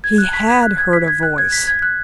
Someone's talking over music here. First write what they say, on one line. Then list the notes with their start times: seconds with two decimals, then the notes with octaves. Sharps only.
He had heard a voice.
0.04 G#6
0.18 F#6
0.33 B6
0.48 G#6
0.63 F#6
0.78 G#6
0.93 B6
1.08 G#6
1.23 F#6
1.38 G#6
1.52 B6
1.68 G#6
1.82 F#6